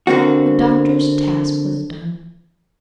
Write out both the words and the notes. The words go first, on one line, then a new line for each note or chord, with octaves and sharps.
The doctor's task was done.
D3 A#3 C4 F#4